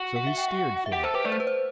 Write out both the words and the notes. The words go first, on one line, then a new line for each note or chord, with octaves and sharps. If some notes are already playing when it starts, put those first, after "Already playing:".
So he steered for it.
Already playing: F#4 F#5
F#5
E5
G5
F#5
E5
G4 F#5
A4 C5
G4 B4
A3 D5
C5
B4
C5